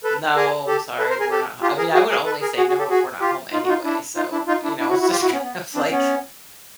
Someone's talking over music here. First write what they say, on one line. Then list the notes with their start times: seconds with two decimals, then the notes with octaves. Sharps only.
"No, I'm sorry, we're not h" I mean, I would only say no if we're not home anyway, so, you know, it's just kind of, like,
0.04 A4 B4
0.36 G#4 A#4
0.67 G4 A4
0.99 A4 B4
1.09 A#4 C5
1.20 G#4 A#4
1.31 G4 A4
1.63 F4 G4
1.78 G#4 A#4
1.94 F#4 G#4
2.10 G#4 A#4
2.26 A4 B4
2.42 G#4 A#4
2.57 F#4 G#4
2.68 F#4 G#4
2.79 G4 A4
2.90 F#4 G#4
3.21 F4 G4
3.53 D#4 F4
3.64 F#4
3.69 D#4 F4
3.84 D4 E4
4.16 D#4 F4
4.32 D4 E4
4.48 D#4 F4
4.64 D4 E4
4.80 D4 E4
4.90 E4 F#4
5.01 E4 F#4
5.11 F4 G4
5.22 E4 F#4
5.33 B3 C#4
5.43 B3
5.75 C4 D4
5.91 B3 C#4